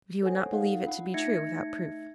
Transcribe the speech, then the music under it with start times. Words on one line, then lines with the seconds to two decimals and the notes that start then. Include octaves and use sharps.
But he would not believe it to be true without proof.
0.22 A4 C5 C#5 F#5 G#5
0.52 D#4 A4 F5 F#5
0.84 D4 F4 F#5
1.14 A3 D#4 E5 G#6 A#6 C#7